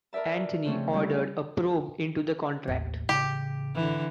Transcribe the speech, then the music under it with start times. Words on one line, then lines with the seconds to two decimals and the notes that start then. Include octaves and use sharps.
Antony ordered a probe into the contract.
0.13 A#4 B4 D5 E5 A5
0.65 C#3 F3 A3 C4 C#4
0.93 G3 C#4 E4 F4 G4
2.68 A1 D#2
3.09 C#3 G4
3.75 D3 E3